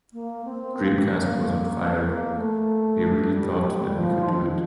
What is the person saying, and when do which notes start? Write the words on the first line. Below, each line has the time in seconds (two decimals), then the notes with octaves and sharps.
Dreamcast was on fire - we really thought that we could do it.
0.13 A#3
0.45 C4
0.76 A#3
1.08 A#3
2.04 A#3
2.35 A3
3.30 G3
3.94 F3
4.26 D#3